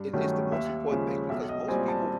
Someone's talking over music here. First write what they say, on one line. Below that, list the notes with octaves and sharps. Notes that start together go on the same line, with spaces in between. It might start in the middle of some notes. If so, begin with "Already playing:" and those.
It it's the most important thing, because most people
Already playing: G2
D#3 F#3 A3 C#4
D#2 E5
C#3 F3 G#3 C#4
B1 E5
D#5
A#2 G3 C4 G#5
A5